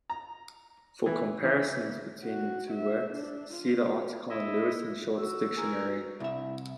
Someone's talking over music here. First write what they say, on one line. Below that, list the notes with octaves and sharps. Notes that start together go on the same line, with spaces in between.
For comparisons between the two works, see the article on Lewis and Short's dictionary.
A#5
E3
E3
F#4
E5
D4
F4
E4 D#5 E5
F#4 E6
G#4 A#4
C2 E4 E5